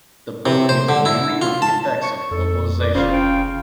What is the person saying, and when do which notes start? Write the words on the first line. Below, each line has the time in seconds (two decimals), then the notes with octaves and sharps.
The book deals mainly with the effects of globalization.
0.46 C3
0.69 C5
0.89 D3
1.05 E4
1.42 F4
1.62 A5
2.03 C#6
2.31 F2 A4
2.81 D5
2.95 F1 C#3 F4 C5
3.12 G5